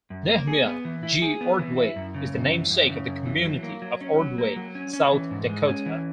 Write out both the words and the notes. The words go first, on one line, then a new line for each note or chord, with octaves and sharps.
Nehemiah G. Ordway is the namesake of the community of Ordway, South Dakota.
F#2
A#3
G#4
B3
E3
E4
G#4
B3
E3
E4
F#2
C#3
F#2
E3
F#2
C#3
F#2
E3
F#3
A#3
F#3
C#4
F#3
A#3
F#3
C#4
C#4
E3
G#2
G#3
C#4
E3